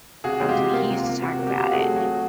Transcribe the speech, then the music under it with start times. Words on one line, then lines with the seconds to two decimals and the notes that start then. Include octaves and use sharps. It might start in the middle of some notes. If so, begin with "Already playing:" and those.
Thrones," and he used to talk about it.
0.24 C3 F#4 G#4
0.40 G#3
0.49 F4 G4
0.57 C3
0.73 A#3 F4
0.90 C3
0.98 F4
1.07 A#3
1.22 C3 F#4
1.39 A#3
1.47 G4
1.55 C3 F#4
1.63 F4 G4
1.71 A3 F#4 G#4
1.88 F#3
1.96 F#4 G#4
2.05 F#3